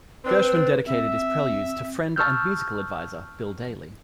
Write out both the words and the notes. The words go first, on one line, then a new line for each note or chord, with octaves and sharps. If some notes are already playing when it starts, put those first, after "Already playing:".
Gershwin dedicated his Preludes to friend and musical advisor Bill Daly.
C4 D4 B4
C4 E5
A5 C#6 E6 F6 G6